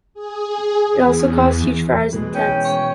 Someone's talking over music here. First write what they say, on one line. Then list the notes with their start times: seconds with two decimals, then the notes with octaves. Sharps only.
It also caused huge fires in the tents.
0.14 G#4
0.92 E2
2.12 B2 E3 G#3
2.35 C#4 G5
2.64 C#5